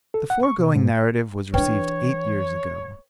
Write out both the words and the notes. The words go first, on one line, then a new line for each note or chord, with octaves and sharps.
The foregoing narrative was received eight years ago.
A4
F#5
C#6
B2
G#2
E3 D4 B4 C#5 G5